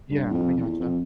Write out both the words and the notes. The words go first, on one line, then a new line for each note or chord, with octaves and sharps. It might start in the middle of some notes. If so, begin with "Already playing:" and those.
Yeah, I gotcha.
G2
E2
F2
E2
F2